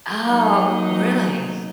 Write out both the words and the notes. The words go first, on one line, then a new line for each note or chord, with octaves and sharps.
Oh, really?
F#3 A#3 D#4